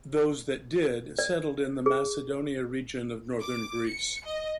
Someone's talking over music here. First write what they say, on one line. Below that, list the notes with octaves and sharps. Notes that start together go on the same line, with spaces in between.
Those that did settled in the Macedonia region of Northern Greece.
D5
G#4
D6
C#7
D#5